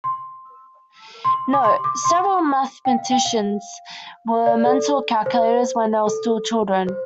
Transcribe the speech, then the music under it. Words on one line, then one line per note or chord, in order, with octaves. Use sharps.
Note: Several mathematicians were mental calculators when they were still children.
C6
C6
D6
C6
D6
C6
G5
F5
G5
F5
D5
A4
C5
A4
C5